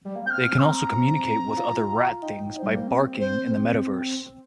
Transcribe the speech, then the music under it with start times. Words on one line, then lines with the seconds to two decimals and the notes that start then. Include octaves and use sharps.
They can also communicate with other Rat Things by "barking" in the Metaverse.
0.05 G3
0.15 A#3
0.26 C4 G6
0.30 F6
0.59 C6
0.63 A#5
1.57 F4
2.22 D#4 G5
2.55 D5
2.59 G3 C5
2.75 A#3
2.88 C4
3.20 C5